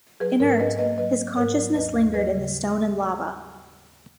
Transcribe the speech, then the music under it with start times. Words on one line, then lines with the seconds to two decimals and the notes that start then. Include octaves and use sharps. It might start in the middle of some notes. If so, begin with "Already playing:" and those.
Inert, his consciousness lingered in the stone and lava.
0.20 F#3 G#4 B4
0.40 G#2 A#4 C#5
0.60 G#2 B4 D#5
0.79 A#3 B4 D#5
0.98 F#3 B4 D#5
1.17 A#3
1.37 G#2 A#4 C#5
1.57 F#3
1.76 D#2 B4 D#5
1.96 D#2
2.14 F#3 B4 D#5
2.34 C#3